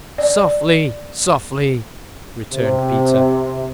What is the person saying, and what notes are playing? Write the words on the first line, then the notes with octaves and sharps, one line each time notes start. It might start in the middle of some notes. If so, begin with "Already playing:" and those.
"Softly--softly," returned Peter.
D5
C3